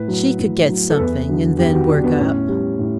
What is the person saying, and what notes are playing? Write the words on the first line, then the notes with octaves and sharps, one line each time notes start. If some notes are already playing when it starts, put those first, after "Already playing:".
She could get something and then work up.
Already playing: A2 B4
F#3
A2
F#3
A4
E2 B4
D3 F#3
E2 G4
F#4
D3 F#3 D4
B3
A2 C#4
G3
A2